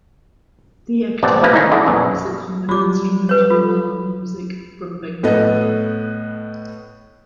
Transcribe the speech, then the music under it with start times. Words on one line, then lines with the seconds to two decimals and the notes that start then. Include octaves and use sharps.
The ektara is a common instrument in Baul music from Bengal.
1.23 A1 C3 B3 C4 D5 A5
1.42 C3 F3 A3 A#3 B4
1.53 D#3 A3 C#4 D#4 E4
1.72 E4 F#4 G#4 A4 D5
1.86 A#1 F#2 B2
2.69 F#3 G3 F4 D6
3.29 B4 C#5
3.50 F4 A4
5.23 A2 B3 A4 B4 D#5